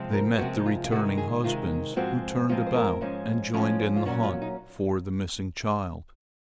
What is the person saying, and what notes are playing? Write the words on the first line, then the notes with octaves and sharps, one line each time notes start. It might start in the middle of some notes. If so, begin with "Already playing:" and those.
They met the returning husbands, who turned about and joined in the hunt for the missing child.
Already playing: C3 F3 G#3 C4
A#4
C3 F3 G#3 C4 F#4
D#4
F4
F4
C3 D#3 G#3 F#4
G#4
C3 D#3 G#3 F4
G#2 F3 G#3 C4 F#4
G#2 F3 G#3 C4 F4
C5
A#4
G#2 F3 G#3 C#4
G#2 F3 G#3 C#4 C#5
C5
F4
A#2 F#3 C#4 F#4
F4
D#4